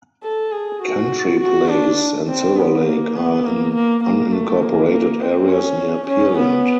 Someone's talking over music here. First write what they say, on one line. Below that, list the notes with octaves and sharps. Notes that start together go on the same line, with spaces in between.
Country Place and Silverlake are in unincorporated areas near Pearland.
A4
G#4
F#4
F#4
D4
C4
B3
A#3
B3
A#3
A#3
A#3
A3
A#3
A#3
C4
C#4
C#4
B3